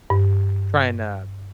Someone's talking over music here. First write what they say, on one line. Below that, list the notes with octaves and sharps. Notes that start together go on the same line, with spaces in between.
trying to
G2